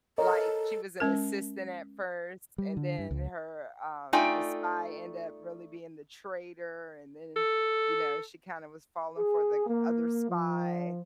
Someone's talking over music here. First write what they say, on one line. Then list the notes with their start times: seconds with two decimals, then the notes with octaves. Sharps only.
Like, she was an assistant at first, and then her, um the spy end up really being the traitor, and then, you know, she kinda was falling for the other spy,
0.18 A4 A#4 C#5 D#5
1.00 G#3 C#4 A#4
2.58 G3
2.77 D3
2.99 G2
3.11 C#2
4.13 A3 D#4 F4 D5 G5 G#5
7.36 A4
9.16 G#4
9.67 A#3
10.29 F3